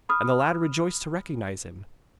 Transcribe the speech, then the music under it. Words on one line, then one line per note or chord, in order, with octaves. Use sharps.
And the lad rejoiced to recognise him.
B5 D#6 F6